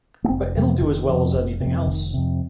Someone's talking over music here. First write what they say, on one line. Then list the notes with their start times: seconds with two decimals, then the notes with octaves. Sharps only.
But it'll do as well as anything else!
0.24 A#3
0.29 F1 C4
0.55 F2 C3 G3
0.65 F3
0.81 F1 D#3
1.08 F2 C3
1.34 F1
1.60 C3
1.66 F2
1.86 F1 D#3
2.14 F2 C3